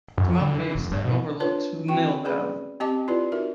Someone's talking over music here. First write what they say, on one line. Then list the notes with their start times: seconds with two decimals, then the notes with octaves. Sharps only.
Tamalpais that overlooks Mill Valley.
0.18 F#2
0.29 F2
0.41 D3
0.59 E3
0.75 F1
0.91 G2
1.05 B2
1.40 D4 F4 B4 C#5
1.88 C4 F#4 G5 C#6
2.25 C#4 G#4 B4 D5 B5
2.80 C4 G4 D#5 A5 D6
3.08 E4 F4 G4 B4 D5
3.32 D#4 F#4 A#4 E5